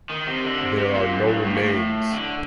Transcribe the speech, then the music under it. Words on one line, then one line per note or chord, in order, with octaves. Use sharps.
There are no remains.
D#3
C3
D3
C3
C3
A#2
F#2
G2
A2
A#2
A2
D3